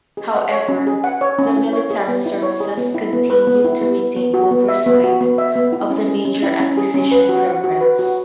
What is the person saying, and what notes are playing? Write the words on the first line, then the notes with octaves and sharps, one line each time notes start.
However, the military services continued to retain oversight of the major acquisition programs.
G#4
F#5
C#5
C#4
G#4
F#5
C#5
C#4
E4
C#5
G#4
B3
E4
C#5
G#4
B3
E4
B3
B4
B3
E4
B3
B4
B3
F#4
B3
E5
B3
F#4
B3
E5
B3
E4
C#4
G#4
C#4
E4
C#4
G#4
C#4
B4
F#4
F#5
F#4
B4
F#4